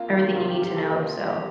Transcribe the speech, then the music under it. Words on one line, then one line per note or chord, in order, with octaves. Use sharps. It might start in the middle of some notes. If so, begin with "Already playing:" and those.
everything you need to know. So
Already playing: A#3 C4 F4
D#3 G4
C3 F4
G4
C3 G4
A4
A#3 D#5
F4
G3 G4
G4